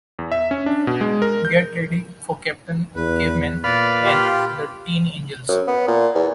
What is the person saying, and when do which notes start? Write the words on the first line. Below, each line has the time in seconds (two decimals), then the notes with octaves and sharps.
Get ready for Captain Caveman and the Teen Angels!
0.19 E2
0.32 E5
0.51 C#4
0.66 D4
0.87 B2
1.01 G#3
1.22 A#4
1.45 G6
2.95 E2 B4
3.64 A#2 B4 D5 F5
4.05 F4 G4
5.48 F#2
5.67 B3
5.88 A#2
6.15 E2